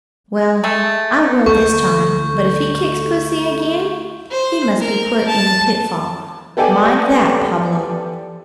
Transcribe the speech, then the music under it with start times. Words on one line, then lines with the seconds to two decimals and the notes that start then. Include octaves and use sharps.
"Well, I will this time; but if he kicks pussy again he must be put in the pitfall--mind that, Pablo."
0.64 A3 G#4 A4
1.46 D2 A4 C#6 G6
4.31 C5
4.80 A#4
5.27 A5
6.57 B3 G4 A4 D5 G5 G#5